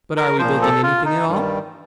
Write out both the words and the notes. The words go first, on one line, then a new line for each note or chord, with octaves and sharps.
"But are we building anything at all?"
A#4
A#2 F3 C5
A4
F4
D#4
G2 D#3 G3